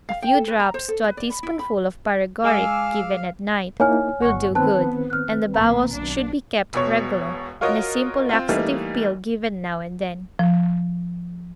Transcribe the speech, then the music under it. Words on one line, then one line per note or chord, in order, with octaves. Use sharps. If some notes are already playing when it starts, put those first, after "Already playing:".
A few drops to a teaspoonful of paregoric, given at night, will do good, and the bowels should be kept regular, and a simple laxative pill given now and then.
F5
G5
A4
B4
A#5
C5
A4
B4
D5
B5
E4
B5
G#3 F5 G#5 D6 E6
A#3 D#4 E4 C#5 G#5 F6
G1 F#5 C#6
D#3 B3 C4 B4 A5 F#6
F6 F#6
B1 A#2 A#5
B1 D4
E1 B2 C#5
F4 F#4 A#4 C#5 D#5
C4 F4
E3 G3 A3 A#3 D#4
F3